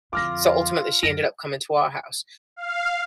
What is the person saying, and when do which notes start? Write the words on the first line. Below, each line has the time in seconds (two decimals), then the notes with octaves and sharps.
so, ultimately, she ended up coming to our house,
0.13 F2 D3 F4 D6 F6 A#6
1.03 F#2 A#6 D7
2.56 F5